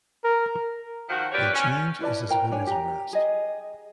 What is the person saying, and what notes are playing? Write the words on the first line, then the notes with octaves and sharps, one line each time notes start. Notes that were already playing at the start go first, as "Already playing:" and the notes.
A change is as good as a rest.
A#4
D#3 F3 F#4
C4 F4 G4 B4 C#5 D5
C#4
E4 B4 D5 A5
A#4 C5 G5 A#5
D4 C#5 G#5
G4 A#5
G#4 D#5